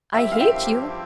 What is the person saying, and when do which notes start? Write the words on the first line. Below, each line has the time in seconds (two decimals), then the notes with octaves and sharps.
'I hate you?
0.14 G2 F3 C4 E4 G4 E5 G5
0.32 F5
0.40 E5 G5